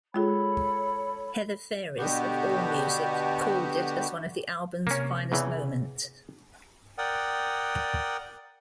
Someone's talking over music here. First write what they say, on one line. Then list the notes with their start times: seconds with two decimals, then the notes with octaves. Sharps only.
Heather Phares of Allmusic called it as one of the album's finest moments.
0.14 G#3 F4 G#4 A4 C#5 B5
1.98 B2 D3 B3 F#4 G4
4.87 C3 A#3 C#4
5.32 E2 C#3 E3
6.98 A#4 D5 F#5 G5 D#6